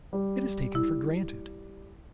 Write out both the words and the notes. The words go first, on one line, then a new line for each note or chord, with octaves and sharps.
It is taken for granted.
G3
E4